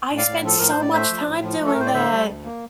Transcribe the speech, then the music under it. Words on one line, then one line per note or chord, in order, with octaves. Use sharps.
I spent so much time doing that,
A2
D5 F5
A2
F3 A4
A2 A#4
C5
A2
D5
A3 C5 E5
F3
A2
F3
A3 A4
A#4
A2 C5
D5
D3 C5 E5
G3
D2
A#3